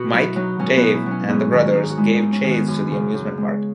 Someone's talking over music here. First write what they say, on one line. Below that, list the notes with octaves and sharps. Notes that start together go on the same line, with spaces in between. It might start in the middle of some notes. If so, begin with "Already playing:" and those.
Mike, Dave, and the brothers give chase to the amusement park.
Already playing: B2 F#4
F#3 E4
F#3 D#4
B2 C#4
B3
B2
E4
F#3
C#4
G#2 B3
D#3 C#4
G#2 D#4
F#4
G#3 E4
D#4
G#2
C#4
D#3 C#4
B3
F#2
C#3
F#2
G#3